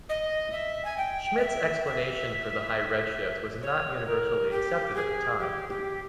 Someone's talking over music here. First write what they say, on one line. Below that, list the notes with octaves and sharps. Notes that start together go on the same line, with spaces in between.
Schmidt's explanation for the high redshift was not universally accepted at the time.
D#5
E5
G#5
G5
D#5
E5
E5
C#5
A#4
G4
G#4
G4
G4